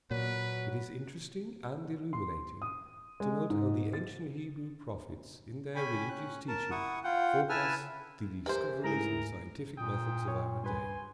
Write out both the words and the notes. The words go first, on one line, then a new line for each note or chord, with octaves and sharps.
It is interesting and illuminating to note how the ancient Hebrew prophets in their religious teaching forecast the discoveries and scientific methods of our day.
A#2 F#3 B4
C6
D#6
G#3
G#2
A6
C#4 G5 G#5 B5
C#4 F#6
A#4 A5
E4 F#5 C#6 D#6
F4 F#5 G5
E4 B4 G#5 A5 E6 F6
E3 G4 A#4 C5
G#2 A3 E4 G#4 A#4 A#5
A#2 G5 D#6
C#5
G2 B4 C5 G#5 C6